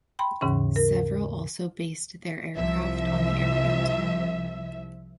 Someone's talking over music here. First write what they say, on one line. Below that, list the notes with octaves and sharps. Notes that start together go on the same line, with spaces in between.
Several also based their aircraft on the airfield.
G5 B5 C6
D#2 G#2 C#3 E3 C#4
A#4
C2 F3 E5